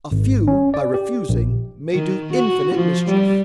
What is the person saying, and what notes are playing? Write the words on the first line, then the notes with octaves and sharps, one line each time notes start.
A few by refusing may do infinite mischief.
G#1
C#4
D5
G4
A#1
D#3
F#4
F3
G3